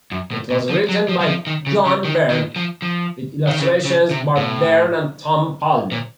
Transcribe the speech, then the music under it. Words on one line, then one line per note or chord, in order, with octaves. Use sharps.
It was written by John Byrne, with illustrations by Byrne and Tom Palmer.
F#2
A2
A#2
F3
F#3
F3
F#3
F3
D#3
C#3
C#3
D#3
D#3
F3
F3
D#3
C#3
C#3
C3
A2
A#2